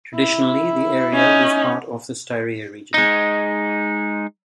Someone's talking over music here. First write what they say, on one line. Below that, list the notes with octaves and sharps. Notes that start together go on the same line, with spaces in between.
Traditionally the area was part of the Styria region.
E4
C#4 D#4
G#3 D#4